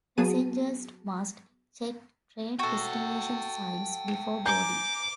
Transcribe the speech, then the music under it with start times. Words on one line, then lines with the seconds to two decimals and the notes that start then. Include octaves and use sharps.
Passengers must check train destination signs before boarding.
0.18 F#3 B3 F#4 G#4 A5 D#7
2.59 F#4 A4 E5 G5
4.45 G#5 A#5 D6 G6